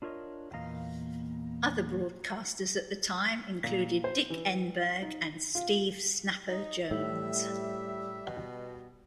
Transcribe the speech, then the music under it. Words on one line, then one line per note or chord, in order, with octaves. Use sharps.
Other broadcasters at the time included Dick Enberg and Steve "Snapper" Jones.
D4 F4 A#4 C#5 D#5
E2 A#2 A#3 D#5 F5 A#5
A#2
C5
E3
D#4
F4
D#4
A2 G3 E5
B2